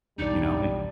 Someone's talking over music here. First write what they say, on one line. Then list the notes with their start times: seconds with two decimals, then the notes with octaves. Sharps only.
you know, an
0.18 B1 E2 G2 G3 D4 D#4 D5